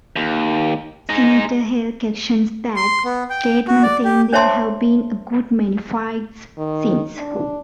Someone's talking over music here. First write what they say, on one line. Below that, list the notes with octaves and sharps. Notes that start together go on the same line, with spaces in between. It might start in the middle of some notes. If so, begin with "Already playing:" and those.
Senator Hale questions that statement, saying there have been a good many fights since.
D#2
G#3 D#4
C6
B3
G5
F#4
D5
G4
D4 C5 C#5 E5 A5 C6
D#3
D4